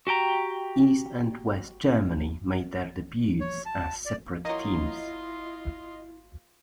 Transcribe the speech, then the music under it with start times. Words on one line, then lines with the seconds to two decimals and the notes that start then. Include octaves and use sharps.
East and West Germany made their debuts as separate teams.
0.07 F#4 G4 G5 A#5
3.40 C#5
3.66 A5
4.06 D5
4.45 F#3 A#3 E4 F4 D#5 C6